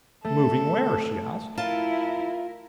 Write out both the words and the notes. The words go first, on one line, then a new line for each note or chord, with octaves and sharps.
"Moving where?" she asked.
A3 A4
E4 F4 A#4 A5